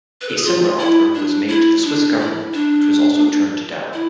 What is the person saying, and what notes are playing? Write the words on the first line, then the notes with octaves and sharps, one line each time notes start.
A similar offer was made to the Swiss government which was also turned down.
B4
A4
G#4
F4
E4
D4
E4
D4
E4
D4
E4